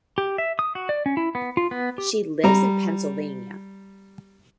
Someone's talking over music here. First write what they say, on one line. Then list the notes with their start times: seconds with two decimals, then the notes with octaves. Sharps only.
She lives in Pennsylvania.
0.18 G4
0.38 E5
0.59 D#6
0.75 F#4
0.89 D5
1.06 C#4
1.17 E4
1.35 B3
1.57 F4
1.71 B3
1.98 G4
2.44 G3 A#5